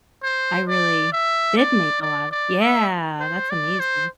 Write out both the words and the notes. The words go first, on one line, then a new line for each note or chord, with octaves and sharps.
I really did make a lot, yeah, that's amazing.
C5
D5
E5
D5
D5
D5
E5
C5
D5
C5